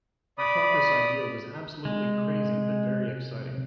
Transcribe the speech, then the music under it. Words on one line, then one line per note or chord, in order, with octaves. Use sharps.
I thought this idea was absolutely crazy but very exciting.
D5 B5 D#6
C3 G#3